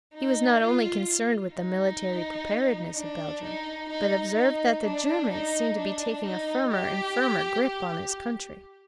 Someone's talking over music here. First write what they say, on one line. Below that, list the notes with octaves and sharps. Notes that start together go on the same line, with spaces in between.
He was not only concerned with the military preparedness of Belgium, but observed that the Germans seemed to be taking a firmer and firmer grip on his country.
D#4
F4
D#4
D4
D#4
D#4
D#4
D4
D#4
D4
D#4
G4
G4